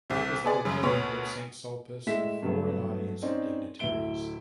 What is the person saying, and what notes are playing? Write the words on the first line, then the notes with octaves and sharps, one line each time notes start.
It was proclaimed at Saint Sulpice before an audience of dignitaries.
C2 C3
B3 G#4 D5
F#2 C#3
D2 B2 B3 C#5
A2 G#3 E5 B6 E7
G2 F#3 A3 B3
C4 C#4 D#4 C5 D5
D1 A2 E5 D7 G7